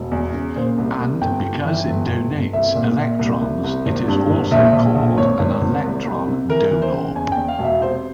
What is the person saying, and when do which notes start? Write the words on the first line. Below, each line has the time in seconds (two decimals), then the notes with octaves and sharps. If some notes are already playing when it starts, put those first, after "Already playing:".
And because it "donates" electrons it is also called an electron donor.
Already playing: E1
0.11 E2
0.34 C#3
0.56 A#2 C5
0.78 C2
1.00 C2
1.21 G1 G5
1.44 G1
1.65 E3
1.87 G1
2.09 G1
2.31 G1
2.53 C2 E5
2.75 A#2
2.97 A#2
3.19 C2
3.41 C2
3.64 C2
3.86 G#1
4.08 G2
4.30 G#1
4.51 A#1 E5
4.73 A#1
4.96 A#1
5.18 G#1 C#5
5.40 G#1
5.62 G#1
5.84 C2
6.05 C2
6.28 C3
6.49 E3 A#4
6.71 E3
6.82 C5
6.93 C#3
7.15 E2 G#5
7.32 E2 G5
7.48 F5
7.59 E1
7.64 E5
7.81 C3 C5